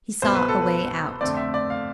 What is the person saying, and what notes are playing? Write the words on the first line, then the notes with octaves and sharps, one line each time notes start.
He saw a way out.
C2 B2 B3 C5
B4
A4
B4
F2 D3 A3 C4 D5
E5
D5
F5